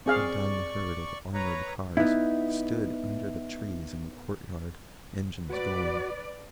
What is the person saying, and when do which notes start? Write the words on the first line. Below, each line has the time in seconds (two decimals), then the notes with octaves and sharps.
A dun herd of armoured cars stood under the trees in the court-yard, engines going.
0.06 C4 G#4 D5 F5 C#6
1.34 B4 C#5 A#5
1.97 B3 D#4 E4
5.50 F#4 B4 D5